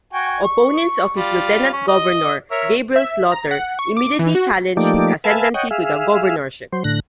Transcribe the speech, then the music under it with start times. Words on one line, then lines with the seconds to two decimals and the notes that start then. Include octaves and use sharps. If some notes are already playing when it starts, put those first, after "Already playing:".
Opponents of his lieutenant governor, Gabriel Slaughter, immediately challenged his ascendancy to the governorship.
0.13 F#4 G5 G#5
0.44 C#6
1.17 G3 F4
1.73 C#4
1.88 D#5
2.51 A#4 C#5 E5
2.96 E5
3.32 A#5
3.51 F#5
3.79 C#6
3.97 D6
4.19 E3
4.35 F#4
4.77 F3 A3 A#3 D#4 G4 D5
5.24 B4 E5 F5 G#5 A5
5.54 C#5 D#5 F#5 G5
5.71 G#4 E5 F5
6.73 F#3 C5
6.84 A2 D3 F#6 A#6